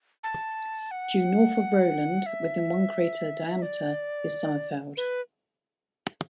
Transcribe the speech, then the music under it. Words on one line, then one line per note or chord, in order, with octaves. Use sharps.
Due north of Rowland, within one crater diameter, is Sommerfeld.
A5
F#5
E5
D5
B4